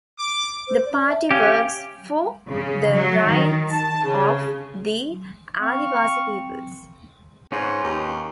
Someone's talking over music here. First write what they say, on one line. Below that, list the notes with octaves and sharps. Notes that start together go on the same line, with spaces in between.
The party works for the rights of the Adivasi peoples.
D6
C5
D5
E5
C#4 G4 F5
C#3
F#3
D#3
A5
C#3
C4 F5 C#6
G#2 C#4 F4 B4
D#2